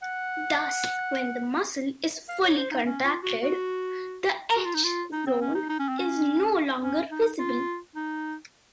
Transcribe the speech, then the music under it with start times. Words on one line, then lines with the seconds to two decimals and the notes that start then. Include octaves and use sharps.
Thus when the muscle is fully contracted, the H zone is no longer visible.
0.03 F#5
2.29 F5
2.44 C#5
2.57 C5
2.71 D#4
2.86 C#4
3.04 F4
3.23 F#4
3.43 F#4
4.56 F#4
4.65 F4
4.75 D#4
4.84 F4
5.12 D#4
5.27 C4
5.41 C#4
5.55 D#4
5.69 D#4
5.79 C#4
5.89 C4
5.99 C#4
6.83 C#4
7.11 D#4
7.39 F4
7.96 D#4